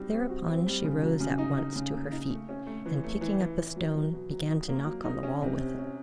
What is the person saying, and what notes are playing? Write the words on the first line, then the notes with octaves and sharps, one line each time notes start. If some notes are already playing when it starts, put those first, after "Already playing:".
Thereupon, she rose at once to her feet, and picking up a stone, began to knock on the wall with it.
Already playing: G3 C4 D#4 F#4
C4
F#4
C4
G3
C#3
F#3
C#3
D#4
D#4
C#3
A#3
D#4
A3
C#4
A3
E3
A3
E3
E3
E3
F#3
F#3
B2
F#3
D#4
A#3
F#3
D#4
C#4
C3
C3
C#4